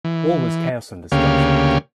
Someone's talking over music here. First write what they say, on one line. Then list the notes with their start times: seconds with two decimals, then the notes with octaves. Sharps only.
All was chaos and destruction.
0.04 E3
1.12 D2 C#3 A#3 G4 C#5 F5